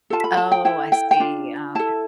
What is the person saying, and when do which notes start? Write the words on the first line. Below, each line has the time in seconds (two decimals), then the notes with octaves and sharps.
Oh, I see. Oh, okay.
0.10 F4 A4 A5
0.24 B5
0.37 A5
0.52 G5
0.65 E4 A4 G5
0.92 G5
1.11 G5
1.20 D4 F4
1.75 E4 A4 A5